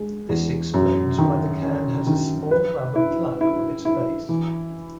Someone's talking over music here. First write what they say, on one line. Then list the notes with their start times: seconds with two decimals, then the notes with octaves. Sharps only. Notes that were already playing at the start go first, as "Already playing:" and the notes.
This explains why the can has a small rubber plug on its base.
Already playing: G#3
0.29 E2
0.74 F#2
1.18 D#3
1.62 C#4
2.07 D#3
2.51 B4
2.95 E4
3.41 E4
3.85 E4
4.29 E3